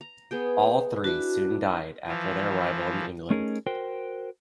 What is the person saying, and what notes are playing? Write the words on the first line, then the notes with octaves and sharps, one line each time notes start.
All three soon died after their arrival in England.
A#5
B3 G#4 G5
D4 E4 F#4
E3 F3
A3 C#4 D#4 G#4 A#4
F#4 A#4 C5 G5